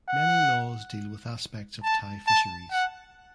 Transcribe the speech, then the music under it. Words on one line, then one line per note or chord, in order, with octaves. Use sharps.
Many laws deal with aspects of Thai fisheries.
F#5
A5
A5
F#5